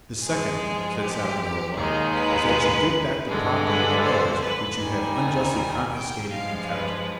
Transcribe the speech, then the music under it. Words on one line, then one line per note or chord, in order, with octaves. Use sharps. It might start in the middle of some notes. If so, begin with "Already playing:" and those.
"The second," said Savonarola, "is that you give back the property of others which you have unjustly confiscated and kept."
G2 F3 G#3 G#4
G4
D#2 D#3 G#3 G#4
B4
G2 D3 G#3
B4
C5
B4
D#2 D#3 G3 G#5
G5
G2 F3 G#3 F5
B4